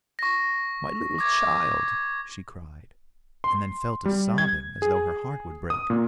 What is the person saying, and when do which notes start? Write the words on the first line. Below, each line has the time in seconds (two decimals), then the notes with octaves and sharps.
"My little child," she cried, and then fell to sobbing as though her heart would break.
0.19 C#6 A#6
1.19 D6 G#6
3.44 C6
4.05 G3
4.38 G#6
4.82 G#4
5.70 D#6
5.90 A#2